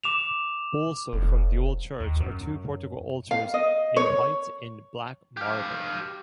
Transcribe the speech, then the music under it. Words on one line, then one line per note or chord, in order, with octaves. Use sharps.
Also from the old church are two portico altars in white and black marble.
D6 E7 F7
F1
D#2
F#2
F5
D#5
C#5
G4 F5